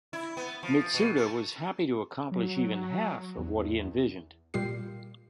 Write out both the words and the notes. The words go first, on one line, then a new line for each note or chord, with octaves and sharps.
Mitsuda was happy to accomplish even half of what he envisioned.
E4
B3
F3
B2
A3
F#3
E2
A#2 G3 F4 G4 C7